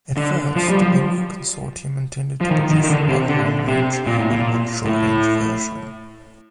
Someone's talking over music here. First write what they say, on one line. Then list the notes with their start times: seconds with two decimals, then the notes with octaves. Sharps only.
At first, the new consortium intended to produce one long-range and one short-range version.
0.17 D3
0.56 F3
0.69 G3
0.81 F3
2.41 F3
2.51 D#3
2.70 D#3
2.84 D#3
2.90 D3
3.09 C3
3.29 D3
3.67 C3
4.07 A#2
4.19 A2
4.31 A#2
4.85 A2